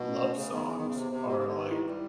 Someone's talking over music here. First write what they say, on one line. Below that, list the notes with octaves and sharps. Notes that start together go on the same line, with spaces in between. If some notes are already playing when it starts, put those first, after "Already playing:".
love songs are, like
Already playing: B2
C#4
A3
C#3 G#4
D#3 B3
E3 G#4
D#3
C#3 B3
C3 C5
C3 C5
B2 G4
C#3
G4
D3
D#3 B4
E4
G3 E4